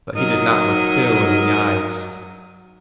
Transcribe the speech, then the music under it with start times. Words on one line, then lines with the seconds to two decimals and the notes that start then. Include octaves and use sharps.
But he did not look Phil in the eyes.
0.16 F#3 D#4 A#4 D#5